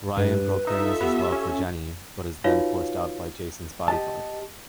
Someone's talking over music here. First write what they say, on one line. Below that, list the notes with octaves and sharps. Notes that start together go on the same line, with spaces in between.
Ryan proclaims his love for Jenny but is then forced out by Jason's bodyguard.
G2 B4
D#4 F4 A4 E5
B3 G4
C#4
D#4 F4 F#4 B4 C#5 F5
G4 D#5 A5